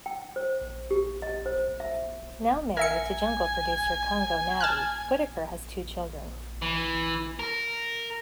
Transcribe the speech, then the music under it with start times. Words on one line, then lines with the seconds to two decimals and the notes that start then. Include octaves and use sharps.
Now married to jungle producer Congo Natty, Whittaker has two children.
0.06 G5
0.36 C5
0.91 G4
1.22 D#5
1.46 C5
1.80 E5
2.77 A#4 E5 G#5 C#7
4.61 A5 F6 F#6
6.62 E3
7.39 A#4